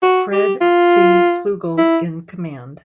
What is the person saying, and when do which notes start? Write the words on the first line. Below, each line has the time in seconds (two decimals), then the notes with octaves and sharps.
Fred C. Fluegel in command.
0.02 F#4
0.32 G4
0.61 F4
1.78 E4